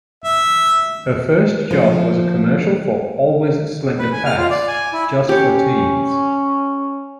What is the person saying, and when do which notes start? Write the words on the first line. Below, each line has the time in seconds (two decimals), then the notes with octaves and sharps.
Her first job was a commercial for Always Slender Pads - Just For Teens.
0.24 E5
1.71 F3
3.99 B4
4.13 G#5
4.25 F6
4.38 F4
4.50 D5
4.68 G#5
4.93 E4
5.29 C#4 G4 C#5